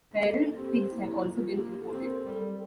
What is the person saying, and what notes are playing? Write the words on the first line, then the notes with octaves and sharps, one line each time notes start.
Feral pigs have also been reported.
A#3 A4
C4 G4
A#3 E4
F4
A#3 G4
A4
C4
A#4
G3 A4 A#4